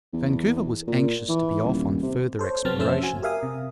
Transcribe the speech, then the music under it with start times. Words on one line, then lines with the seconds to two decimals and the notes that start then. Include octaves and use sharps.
Vancouver was anxious to be off on further exploration.
0.13 E2
0.87 A#2
1.29 E3
1.63 D#1
2.03 C3
2.39 A4 C5 C#5
2.65 C3 F#3 B3 C4 A5 F6
2.78 F2 A3 C#4 C5 E5 E6
3.03 F#4 G#5
3.22 G4 A#4 E5 F5 G#5 D#6
3.43 C3